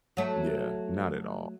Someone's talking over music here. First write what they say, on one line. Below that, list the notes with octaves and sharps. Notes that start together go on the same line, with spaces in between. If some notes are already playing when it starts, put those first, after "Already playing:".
Yeah, not at all.
F#3 A3